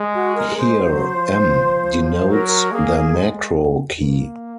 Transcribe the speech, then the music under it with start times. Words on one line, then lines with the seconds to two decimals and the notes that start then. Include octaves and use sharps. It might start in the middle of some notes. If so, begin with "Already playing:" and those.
Here, "m" denotes the "Macro" key.
Already playing: G#3
0.14 F#4
0.35 A#4
0.56 G#3 C5
0.86 F#3
1.14 F3
1.43 F3
2.29 F#3 A#4
2.71 A#3 G#4
3.15 G#3
4.01 A#3